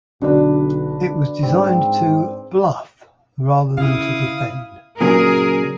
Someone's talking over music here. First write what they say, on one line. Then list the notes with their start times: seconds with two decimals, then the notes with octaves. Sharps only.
It was designed to "bluff" rather than to defend.
0.21 B1 D3 D4 F#4 B4 D5
1.43 G#2 C4
3.78 C#3 E4 F5 D#6
5.01 A#2 C#3 F#3 G#4 A#4